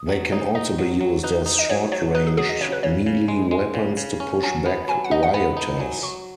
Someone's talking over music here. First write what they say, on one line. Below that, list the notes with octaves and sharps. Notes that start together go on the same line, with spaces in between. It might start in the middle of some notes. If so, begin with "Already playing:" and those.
They can also be used as short-ranged melee weapons to push back rioters.
Already playing: D#6
F#3
D#4 C#5
D#4 D#5
F#3
F#3
D#4 B4
D#4
D#5
F#3 C#5
F#3 C#5
D#4 B4
G#4
F#3 G#4
D#5
C#3 C#5
B4
C#3 C#5
C#3
G#3
G#3
C#3
C#3
C#4
F#3 G#5
B3
F#3 G#5
F#5
D#4 D#5
F#5
B3 F#5
D#4
F#3 G#5
F#3 C#6